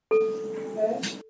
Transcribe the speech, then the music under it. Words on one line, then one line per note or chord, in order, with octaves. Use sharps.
The band consists of members of the bands Happy Diving and Big Bite.
A4